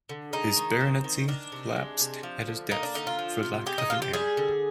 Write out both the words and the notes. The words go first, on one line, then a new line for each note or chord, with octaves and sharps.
His baronetcy lapsed at his death for lack of an heir.
D3
G#3 D#4
D#3
C4
D#3
D#3 D4
C3
G#3
C3
F3
D3
A#3 D#4
D4
D3 D#4
F4
F3
C3
G#3 G4
D#4
C3 F4
G4
G3 G#4
D3